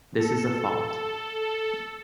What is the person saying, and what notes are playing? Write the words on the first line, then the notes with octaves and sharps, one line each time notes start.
This is a fault.
A4
A4
A4
A4